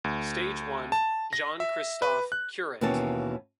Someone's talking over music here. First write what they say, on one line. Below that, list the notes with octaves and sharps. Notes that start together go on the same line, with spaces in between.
Stage one Jean-Christophe Currit.
D2
A5
A#6
E5
B4
F#6
D#2 B2 E3 A#3 C#4 A5